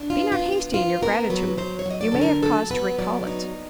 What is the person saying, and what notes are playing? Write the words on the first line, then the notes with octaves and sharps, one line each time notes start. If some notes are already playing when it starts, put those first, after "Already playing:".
"Be not hasty in your gratitude; you may have cause to recall it."
Already playing: D4
F4
B3
F4
B3
F4
B3 F4
B3 A#4
F#3 B4
F#3 C5
C#5
F#3 D#5
D5
D3 A4
A#4
F#3 A4
B3 B4
F#3 D5
D#4